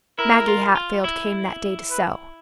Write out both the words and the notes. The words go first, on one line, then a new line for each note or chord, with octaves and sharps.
Maggie Hatfield came that day to sew.
E4 A#4
F4
F4
E4
B4